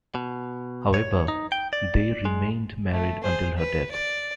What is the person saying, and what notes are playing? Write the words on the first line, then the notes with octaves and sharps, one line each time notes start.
However, they remained married until her death.
B2
C#5
D#4
G5
D5
G#3
A3
G#4 C5
B4
D5